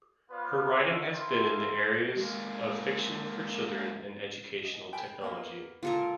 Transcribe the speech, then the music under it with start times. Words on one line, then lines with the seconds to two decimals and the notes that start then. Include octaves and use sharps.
Her writing has been in the areas of fiction for children and educational technology.
0.31 B3 F4 B4 C5 D5 F5
0.79 G#3 C#4 D#5 E5
1.13 A#3 C4 E4 C6
2.17 G#3 A#3
4.65 D#5
4.93 G5 B5
5.21 A#3 B3
5.83 C#2 A#2 F4 A4 A#4